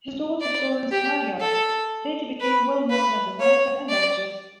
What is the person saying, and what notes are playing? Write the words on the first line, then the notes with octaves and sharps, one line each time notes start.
His daughter Florence Marryat later became well known as a writer and actress.
D5
G4
A4
B4
B4
C#5
D5